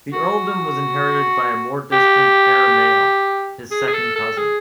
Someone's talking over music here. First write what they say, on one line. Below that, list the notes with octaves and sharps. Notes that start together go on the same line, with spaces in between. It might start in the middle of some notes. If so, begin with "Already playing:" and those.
The earldom was inherited by a more distant heir-male, his second cousin.
F#4
G4
G#4
G#4
A4
A4
G#4